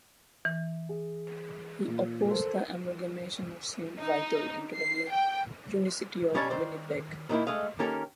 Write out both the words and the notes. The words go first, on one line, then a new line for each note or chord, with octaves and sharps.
He opposed the amalgamation of Saint Vital into the new "unicity" of Winnipeg.
E3
G#4
A#2
A4 A#4 C5
D#4
C7
G5
B1 G3 C#4 C#5 E5 A5
D#3 C5 D5
A#2 D#3 A#3 E4
G#3 A3 D#5 F5
D#3 A#3 C#4 G4 A4 A#4